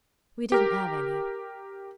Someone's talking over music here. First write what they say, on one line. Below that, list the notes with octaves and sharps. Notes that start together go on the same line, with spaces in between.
"We didn't have any."
G4 A#4